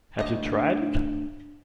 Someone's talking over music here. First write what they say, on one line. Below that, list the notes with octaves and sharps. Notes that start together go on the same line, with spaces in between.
Have you tried it?
D2 D#5